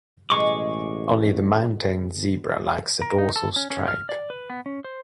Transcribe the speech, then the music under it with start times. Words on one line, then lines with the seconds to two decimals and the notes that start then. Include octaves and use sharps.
Only the mountain zebra lacks a dorsal stripe.
0.30 A1 B2 G#3 C#6 D6
3.02 A#4
3.18 D#4
3.36 A4
3.56 C#4
3.70 C#4
3.88 F6
4.09 D5
4.30 B4
4.50 B3
4.66 C#4
4.84 C5